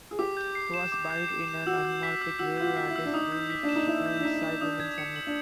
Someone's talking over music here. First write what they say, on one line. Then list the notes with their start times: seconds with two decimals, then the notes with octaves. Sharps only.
He was buried in an unmarked grave, and his burial site remains unknown.
0.11 G#4
0.19 G4 D6
0.37 G6
0.55 C7
0.74 E7
0.92 D6
1.10 G6
1.29 C7
1.48 E7
1.66 F#4 E6
1.85 G6
2.03 B6
2.22 E6
2.39 F#4 E6
2.58 F4 G6
2.64 F#4
2.77 B6
2.89 E4
2.96 E6
3.05 D4
3.13 D#4 D#6
3.32 G6
3.50 B6
3.63 D4
3.69 E7
3.76 D#4
3.87 E4 D#6
4.06 G6
4.19 D4
4.23 D#4 B6
4.43 E7
4.61 D4 D#6
4.80 G#6
4.98 C#7
5.16 F#7
5.27 D4